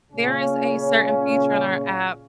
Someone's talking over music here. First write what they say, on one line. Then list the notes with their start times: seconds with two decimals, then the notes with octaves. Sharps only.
there is a certain feature on our app,
0.12 A#2 C#3 C#4